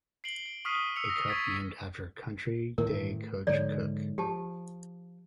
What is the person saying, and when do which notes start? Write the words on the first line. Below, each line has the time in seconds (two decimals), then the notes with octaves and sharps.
The cup named after Country Day coach Cook.
0.24 C7 D7 F#7 G7
0.46 D7
0.65 C#6 D#6 F6 B6 C7 D#7
0.96 E6 C#7 F7
1.10 A#6
1.28 C#6 D#6 G#6 A6 B6 D7
2.78 A2 D#3 E3 A#4
3.47 G#2 D3 F3 C#5 D5
4.18 F3 G4 A5